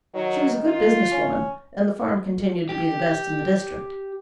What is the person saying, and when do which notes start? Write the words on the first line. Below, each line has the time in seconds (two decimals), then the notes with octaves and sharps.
She was a good business-woman, and the farm continued to be the best in the district.
0.14 D#3 F#3
0.65 F4
1.11 C#4
2.69 G4